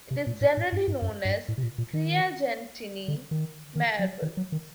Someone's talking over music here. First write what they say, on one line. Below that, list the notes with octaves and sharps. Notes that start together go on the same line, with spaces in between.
It is generally known as the Craigentinny Marbles.
C3
A#2
A2
A2
G2
G2
F#2
G2
A2
C3
A#2
A#2
D#3
D3
D#3
D#3
F#3
D#3
F#3
D#3